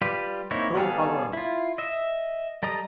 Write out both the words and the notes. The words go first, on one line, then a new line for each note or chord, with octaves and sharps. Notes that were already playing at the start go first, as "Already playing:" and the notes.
Pro Hour.
G3 F4 G4 B4
A#3 C4 D#4 E4 C#5
G3 B3 G#4 A4 F5
E4 F4
D#5 E5
G3 A4 D#5 A#5 D#6